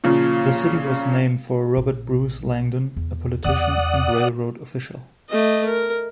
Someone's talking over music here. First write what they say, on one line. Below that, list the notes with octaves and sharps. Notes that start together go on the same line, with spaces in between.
The city was named for Robert Bruce Langdon, a politician and railroad official.
A#2 C#3 F3
A#1
E2
E2 B3 D5 F#5 D#6
A3 D#5
A#4